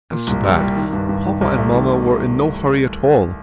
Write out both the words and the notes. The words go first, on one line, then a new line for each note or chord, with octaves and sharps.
As to that, Papa and Mamma were in no hurry at all.
A#2
C2
G3
C2
D#3
G2
G2
D#3
C2
A3
D#3